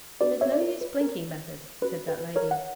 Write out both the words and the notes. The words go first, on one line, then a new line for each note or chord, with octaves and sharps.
'There's no use blinking matters,' said that lady.
B3 D4 F#4 B4 D5
C#5 E5
D5
A#4 C#5
B4
A#4
C#4 F#4 B4
B4
A#4 C#5
F#5